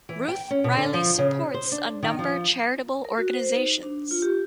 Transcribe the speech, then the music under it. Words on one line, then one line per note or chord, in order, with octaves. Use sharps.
Ruth Riley supports a number charitable organizations.
E3
G5
C#4
B2
D3
F3
C#3
C5
D4
D#3
F3
A#4
F#4
C5
D#4
D4
F4
G4